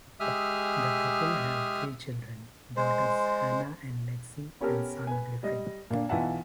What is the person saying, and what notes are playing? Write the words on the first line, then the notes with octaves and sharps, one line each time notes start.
The couple have three children; daughters Hannah and Lexie and son Griffin.
G#3 G4 G#4 E5 D#6 F6
G#3 C5
B3 C#4 G4 A4 A#4
B4 G#5
G3 D#5
A#2 D3 A#3 D4
B1 E3 F4 E5 F#5 A5